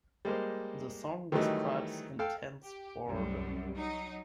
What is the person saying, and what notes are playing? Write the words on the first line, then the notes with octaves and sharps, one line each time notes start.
The song describes intense boredom.
G3 G#3 A#3 C5
D#3 E3 F#3 G3 A3 D#4
A4 F5 G5
G4
C2 F#2 G3
F#3 D#4